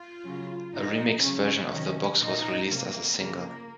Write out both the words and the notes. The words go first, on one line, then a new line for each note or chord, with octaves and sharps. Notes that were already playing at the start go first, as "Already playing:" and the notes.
A remixed version of "The Box" was released as a single.
Already playing: F4
C#3 F#3
A#2 F3 D#4
C#3 F#3 C#4
C3 D#3 F#3
A#2 F3 D#4
C3 F#3 A#3
C#3 F3 A#3